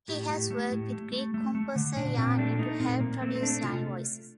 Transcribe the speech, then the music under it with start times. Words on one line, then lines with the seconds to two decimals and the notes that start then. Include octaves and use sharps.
He has worked with Greek composer Yanni to help produce "Yanni Voices".
0.08 A2 G4
0.29 A2
0.50 A3
0.72 A2
0.92 A3
1.13 A3
1.34 A3
1.55 A3
1.76 D3
1.96 A#2 D4
2.17 A#2 C4
2.38 A3 D4
2.59 A3 D#4
2.80 A#2 C4
3.00 A#2 A#3
3.21 A3 C4
3.35 C4
3.42 A3 D4
3.63 C3 F4